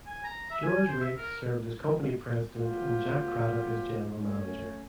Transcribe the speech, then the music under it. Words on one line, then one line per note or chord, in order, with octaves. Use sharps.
George Raikes served as company president, and Jack Craddock as general manager.
G#5
A#5
E5
G#5
C5
E5
A#4
F3 F#3 A3 B3 F4 G4
A3 C#4